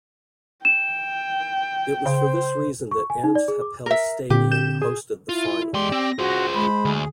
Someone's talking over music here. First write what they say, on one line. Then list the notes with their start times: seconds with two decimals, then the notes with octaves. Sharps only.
It was for this reason that Ernst-Happel-Stadion hosted the final.
0.65 G5 E7
2.06 C#3 C5
2.91 C#6
3.10 G#5
3.24 D#4
3.35 D5
3.48 G#4
3.61 D6
3.86 A#4 E5
4.30 A#2 D3 C4 G4
4.51 G6 E7
4.82 G#4
5.29 E4 F4
5.74 E2 G#3 G4 D5 C6
5.92 C4 A#6
6.19 F4 F#4 G#4 C5
6.54 G#3 B5
6.85 D2 G#4